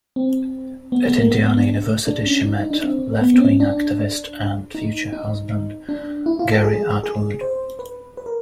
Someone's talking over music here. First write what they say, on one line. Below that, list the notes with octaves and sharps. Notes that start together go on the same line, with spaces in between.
At Indiana University she met leftwing activist and future husband Gary Atwood.
C4
B3
B3
A#3
B3
B3
D4
D4
C#4
D#4
D#4
D4
C4
B3
C4
C#4
D4
D#4
D#4
D4
E4
F4
A4
G#4
G#4
C5
B4
B4
A#4